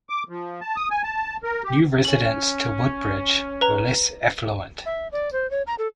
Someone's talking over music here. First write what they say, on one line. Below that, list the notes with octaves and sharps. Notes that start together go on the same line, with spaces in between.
New residents to Woodbridge were less affluent.
D6
F3
A5
D#6
G#5
A5
A#4
G4
C#4 F#7
B4 A#5
E5
D5
C5
C#5
A#5
A4